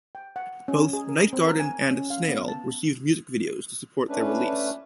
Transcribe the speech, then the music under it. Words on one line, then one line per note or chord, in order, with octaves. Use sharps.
Both "Night Garden" and "Snail" received music videos to support their release.
G5
F#5
C#4
G#4
A#4
C4
A#4
G#5
C#4
F5
B3
A5
A3 C#4 D4 B4